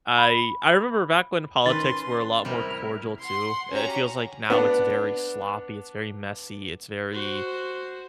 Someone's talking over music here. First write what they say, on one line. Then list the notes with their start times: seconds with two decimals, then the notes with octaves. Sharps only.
I I remember back when politics were a lot more cordial too, it feels, like, now it's very sloppy, it's very messy, it's very
0.18 B5
1.66 D#3 C#4 B4 C6 A6
2.45 C3 G3 E4 A#4
3.25 F#5 C6
3.70 C#4 F#4 G4 A#5
4.50 B3 D4
7.13 F#4 C5